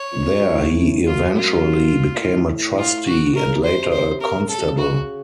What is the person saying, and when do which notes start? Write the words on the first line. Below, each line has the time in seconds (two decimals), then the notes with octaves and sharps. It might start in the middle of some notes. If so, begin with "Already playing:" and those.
There he eventually became a trustee, and later a constable.
Already playing: C#5
0.12 F2
0.31 F#2
0.50 A2
1.07 F#2 F4
1.35 F4
2.15 A#2
2.20 A2
2.78 F4
3.06 F#4
3.34 C3 A#4
3.46 C#3
3.56 C3
3.63 C5
3.92 C5
4.21 A#4
4.48 C#3 A4
4.59 C3
4.71 C#3
4.78 F#4